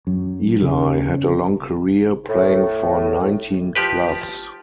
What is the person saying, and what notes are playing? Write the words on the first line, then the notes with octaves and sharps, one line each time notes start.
Ilie had a long career, playing for nineteen clubs.
F#2
C#3
A2
F3 G4 B4